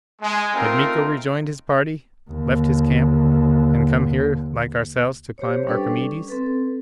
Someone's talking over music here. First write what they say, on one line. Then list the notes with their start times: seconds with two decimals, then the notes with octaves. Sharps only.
Had Miko rejoined his party, left his camp and come here like ourselves to climb Archimedes?
0.21 G#3
0.53 A3 C4 D#4 F4 A#4
2.30 D#2 D3
5.38 G4 C5 C#5
5.67 G3 C#4 D4 A4 B4 D5
5.98 C#4
6.28 C4 A4 B4